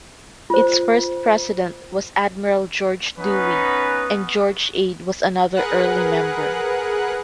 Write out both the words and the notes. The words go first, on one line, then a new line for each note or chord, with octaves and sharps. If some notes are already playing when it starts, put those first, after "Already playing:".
Its first president was Admiral George Dewey, and George Ade was another early member.
F4 C5
B3 C#4 D#4 B4
G#4 A#4 B4 F#5 F#6